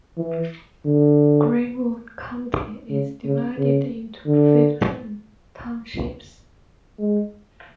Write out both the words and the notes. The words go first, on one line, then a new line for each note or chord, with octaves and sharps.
Greenwood County is divided into fifteen townships.
E3
D3
C#3
C#3
C#3
D3
G#3